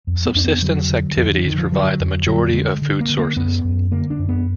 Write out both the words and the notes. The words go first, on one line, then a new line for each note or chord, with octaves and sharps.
Subsistence activities provide the majority of food sources.
F2
B3
F2 D4
B3
D3 F#3
D3
F2 F3
D#3
D3 D#3
F3
D3 F#3
F2
D3 F#3
D3 G#3
D3
A#3
D3
A#3
F#2 B3
F#2
D3 A#3
D4
F#2
B3